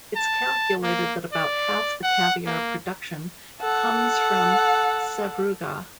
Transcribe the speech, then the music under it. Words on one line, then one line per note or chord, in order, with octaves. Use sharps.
It's calculated that about half the caviar production comes from Sevruga.
A5
A#3
D5
F#5
A#3
A4 F#5